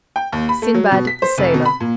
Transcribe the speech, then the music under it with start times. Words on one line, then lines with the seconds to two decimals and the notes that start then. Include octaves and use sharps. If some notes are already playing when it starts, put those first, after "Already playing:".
"Sinbad the Sailor."
0.16 G5
0.32 D#2
0.49 B5
0.62 A3
0.74 F#3
0.92 B2
1.07 B6
1.22 C5
1.38 F1
1.54 B2
1.65 B5
1.80 A#2